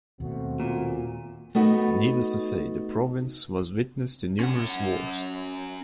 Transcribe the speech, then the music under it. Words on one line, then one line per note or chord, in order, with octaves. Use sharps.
Needless to say, the province was witness to numerous wars.
D#2 B2 A3 C4 F#4
A#2
A3 B3 D#4 F#4
C#4 F#5